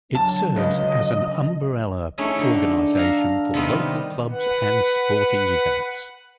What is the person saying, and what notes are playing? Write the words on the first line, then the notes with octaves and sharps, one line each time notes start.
It serves as an umbrella organization for local clubs and sporting events.
D3 F#3 A5
C#2 D#5
A3 C#4 D#4 E4 G#4
D3 D#4
A4 F5 A#5
C3 D#3 G3 B3 D#4
B4 F#5